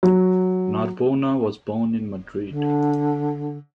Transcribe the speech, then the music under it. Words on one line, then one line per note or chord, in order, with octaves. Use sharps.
Narbona was born in Madrid.
F#3
D3